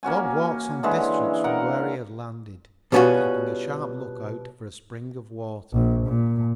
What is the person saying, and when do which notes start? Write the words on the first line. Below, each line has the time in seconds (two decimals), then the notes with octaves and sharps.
Bob walked some distance from where he had landed, keeping a sharp lookout for a spring of water.
0.03 A#3 C#4 F#4 G#5
0.83 D3 E3 G#3 C#4
1.44 A#4 F5 F#5
2.92 B2 G3 B3 C#4 F4 F#4
5.73 A#1
6.07 A#2